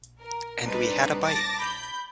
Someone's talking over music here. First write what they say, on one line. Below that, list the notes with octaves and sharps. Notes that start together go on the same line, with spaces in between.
And we had a bite.
A#4
G3 C4 D4 D#4 B4
A5 D6 A6 A#6
B5 G6